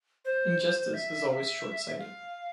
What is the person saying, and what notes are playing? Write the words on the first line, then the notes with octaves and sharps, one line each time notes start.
Injustice is always short-sighted.
C5
E5
F5
E5
F5